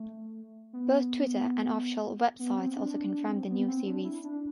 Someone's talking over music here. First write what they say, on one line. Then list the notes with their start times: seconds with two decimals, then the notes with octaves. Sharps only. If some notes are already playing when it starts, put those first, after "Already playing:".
Both Twitter and official websites also confirm the new series.
Already playing: A3
0.73 B3
2.39 B3
2.57 C4
2.76 D4
2.95 D4
3.23 C4
3.50 B3
3.68 C4
3.86 D4
4.04 E4
4.24 D4